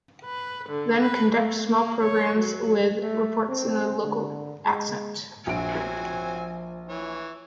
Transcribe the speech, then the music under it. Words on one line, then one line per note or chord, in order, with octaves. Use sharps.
Then conduct small programs with reports in the local accent.
B4
D3
B4
A3
A#3
C#5
F#3
A3
C4
D3
G#3
A#1 F#3 C4 G#5 D7
F3
E3 C#5